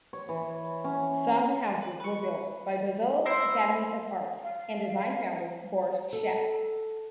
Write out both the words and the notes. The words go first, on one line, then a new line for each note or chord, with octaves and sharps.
Some houses were built by Bezalel Academy of Art and Design founder Boris Schatz.
C#5
E3
C#4
B4
B4 C#6
E4 C5 E5 A#5
F5
A4